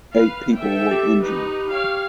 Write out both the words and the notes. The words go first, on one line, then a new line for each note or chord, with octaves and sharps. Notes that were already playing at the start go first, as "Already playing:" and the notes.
Eight people were injured.
B4 F5
A4 E5 G5
G4
D#4 B4
C#5 F5 G5